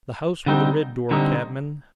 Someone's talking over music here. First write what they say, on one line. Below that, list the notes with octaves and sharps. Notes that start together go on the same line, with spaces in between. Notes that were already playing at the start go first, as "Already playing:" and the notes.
'The house with the red door, cabmin.
D3 G3 C4 D#4
D3 G3 C4 D#4